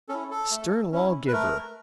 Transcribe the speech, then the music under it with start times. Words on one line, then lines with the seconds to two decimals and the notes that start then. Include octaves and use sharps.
Stern lawgiver!
0.09 C#4 E4 A4
0.31 A4
0.51 A3
0.92 C#4 E4
1.27 B4
1.33 A3 A#4